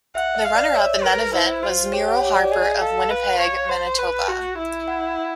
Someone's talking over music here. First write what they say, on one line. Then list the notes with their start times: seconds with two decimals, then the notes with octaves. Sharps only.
The runner-up in that event was Muriel Harper of Winnipeg, Manitoba.
0.15 E5 F#5
0.35 D#5
0.45 F5
0.55 D5
0.74 C#5 E5
1.04 A#4 B4
1.33 E4 C5
1.63 F4 C5
1.92 G4 C#5
2.08 F#5
2.22 C#5
2.36 D5
2.51 G#4 D#5
2.81 A4 F5
3.11 B4
3.39 C#5
3.69 C5
3.98 B4
4.28 F#4
4.59 E4
4.88 F#5